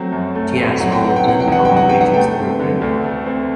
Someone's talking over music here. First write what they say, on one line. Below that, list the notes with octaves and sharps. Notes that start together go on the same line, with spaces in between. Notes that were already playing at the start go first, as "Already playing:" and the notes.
She has over thirty publications to her credit.
Already playing: F#3 A3 C4
F#2
A3
C4
F#3 F#5
G5
B3 F#5
G5
C3 F#5
G5
E2 F#5
F#3 G5
F#5
B3 G5
F#5
A3 G5
C4
D3
D2
A3
C4